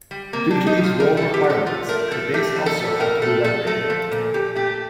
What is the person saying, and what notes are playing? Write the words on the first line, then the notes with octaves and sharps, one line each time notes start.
Due to these role requirements, the base also had to be renovated.
G3
C3 A#3
C3 D4
D#4
G3
F4
A3 A#4
F3 A4
G4
A2
A4
A2 F4
A3 A#4
F3 A4
A3 G4
F3
A4
A2
A2 A#4
A3 A4
F3 A4
A3 A4
F3
A#2
A#2 G4
A3 G4